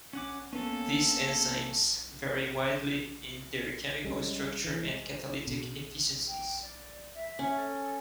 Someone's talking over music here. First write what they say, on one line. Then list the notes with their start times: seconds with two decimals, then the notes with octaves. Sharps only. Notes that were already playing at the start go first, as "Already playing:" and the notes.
These enzymes vary widely in their chemical structure and catalytic efficiencies.
0.13 C#4 F#5 D6
0.53 A#3 B3 C#4 A4
4.04 G3 G#3 C#4
4.64 E3
4.84 G#3
5.47 B2
6.27 G5
6.62 D5
7.14 E5
7.39 C#4
7.56 A4